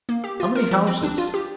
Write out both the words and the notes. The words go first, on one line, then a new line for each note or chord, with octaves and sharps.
How many houses?
A#3
G4
F4
A#4
F3
C4
D4
F4
G4